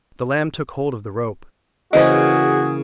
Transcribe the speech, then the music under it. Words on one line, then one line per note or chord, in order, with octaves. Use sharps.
The lamb took hold of the rope.
C#3 E3 A#3 F#4 G#4 C5 D#5